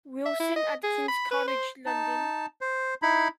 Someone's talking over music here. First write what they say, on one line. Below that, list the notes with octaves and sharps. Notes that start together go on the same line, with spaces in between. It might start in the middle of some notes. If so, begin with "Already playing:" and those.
Wilson at King's College London.
E5
E4
D#5
G#4
B5
B4
C5
D#4 A5
C5
D#4 E4 B5